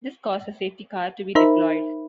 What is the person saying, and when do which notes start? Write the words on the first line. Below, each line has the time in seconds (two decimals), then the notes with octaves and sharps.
This caused the safety car to be deployed.
1.35 D#4 A#4 C5 E5 B5